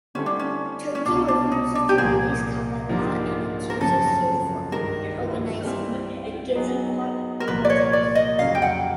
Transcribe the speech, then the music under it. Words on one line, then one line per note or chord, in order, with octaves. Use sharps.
Turkey refuses to release Kavala and accuses him for organizing the Gezi Park protests.
D3 G3 C4 C#4 E4 A4
D4
C#4
C#4
C2 B2 G3 D4
D4
D#4
D4
G4
C2 A#2 F3 G#4
G#2 F3 A#3 D4 G4
A#4
F#2 C#3 F3 A3 C4 A4
G2 D#3 G#3 A#4
G3 C4 E4
F#3 B3 D#4 G#4
A#4
C2 A#2 F3 A#3 B4
D5
C#5
D5
D#5
F2 C#3 F#3 F5
G5
F#5